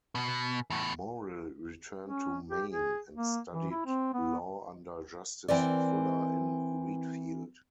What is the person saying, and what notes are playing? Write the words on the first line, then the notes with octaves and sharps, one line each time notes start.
Morrill returned to Maine and studied law under Justice Fuller in Readfield.
B2
E2 A2
C#4
G4
G#4
A#3
E3
E4
C4
B3
E3 C4 A#4 D5